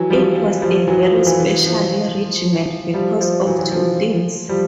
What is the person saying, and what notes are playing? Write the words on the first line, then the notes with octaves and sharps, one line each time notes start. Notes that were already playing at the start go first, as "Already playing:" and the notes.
It was a very special regiment because of two things.
Already playing: E3 F#3
F3 G3
F3
F3 G3
E3 F#3
F3
F3
E3
E3
F3
F3 G3
F3 G3
E3 F#3
E3 F#3
F3
F3 G3